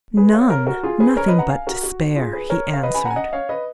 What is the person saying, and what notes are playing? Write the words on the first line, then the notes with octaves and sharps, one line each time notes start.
"None--nothing but despair!" he answered.
G#4 B4
C#5 F5
A#4 C#5
F#4 A#4
F4 G#4
G#4 B4
A#4 C#5
B4 D#5
F#5 A#5
F5 G#5
F#4 A#4
F#4
F4 G#4
G#4 B4
A#4 C#5
F5
B4 D#5
G#5 B5
F#5 A#5
G#5
D#5 F#5
C#5 F5
B4 D#5